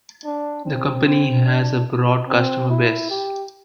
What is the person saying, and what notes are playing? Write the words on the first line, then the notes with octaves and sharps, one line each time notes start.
The company has a broad customer base.
D4
C4
C4
D4
C4
E4
G4